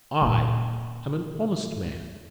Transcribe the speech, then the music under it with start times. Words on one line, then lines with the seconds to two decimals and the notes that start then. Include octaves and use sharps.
I am an honest man.
0.21 A#2 C#4